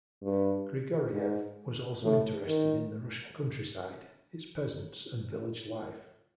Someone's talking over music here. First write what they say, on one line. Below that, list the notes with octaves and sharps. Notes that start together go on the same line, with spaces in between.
Grigoriev was also interested in the Russian countryside, its peasants and village life.
G2
G#2
A2
D#3